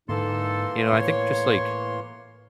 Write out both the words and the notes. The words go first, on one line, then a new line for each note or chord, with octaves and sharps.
you know, I think just like,
G#2 D3 E3 A#3 D#4 A4 C6
A2 C#5